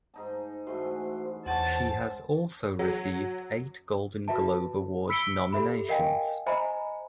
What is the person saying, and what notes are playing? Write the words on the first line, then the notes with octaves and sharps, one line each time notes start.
She has also received eight Golden Globe Award nominations.
G#2 D#4 A5
G#2 E3 A3 F#4 C5
E2 G#3 C5 C#5 F#5 A5
F#3
F#4 B4 E5 A5
B5 E6 B6 C#7 D7 G7
G4 A4 E5 B5
A#4 D#5 F5 G5 G#5
C5 D#5 E5 G#5 A#5 B5